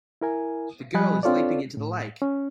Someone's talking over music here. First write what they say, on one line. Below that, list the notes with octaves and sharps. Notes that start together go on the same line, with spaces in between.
The girl is leaping into the lake.
E4 A#4 G#5
F3 G3 D#5 G#5 B5 F#6
C4 D4 F4 A4 C#5 D5
A2
C#4